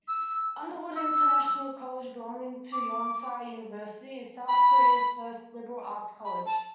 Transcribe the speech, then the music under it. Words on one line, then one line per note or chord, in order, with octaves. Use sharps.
Underwood International College belonging to Yonsei University is South Korea's first liberal arts college.
E6
E6
D6
B5
B5
A5